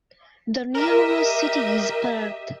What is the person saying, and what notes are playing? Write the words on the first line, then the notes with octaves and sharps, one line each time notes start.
The nearest city is Perth.
G4 A#4 D#5 E5